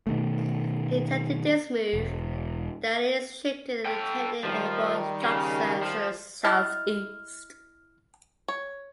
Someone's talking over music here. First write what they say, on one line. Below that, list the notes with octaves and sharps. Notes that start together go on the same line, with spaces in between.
Detecting this move, the Allies shifted their intended airborne drop zones to the southeast.
B2 D#3 A3
E1
A4 G5
D#3 F3 G3
C#3
F3
E4 D#5 A5 F6
C#5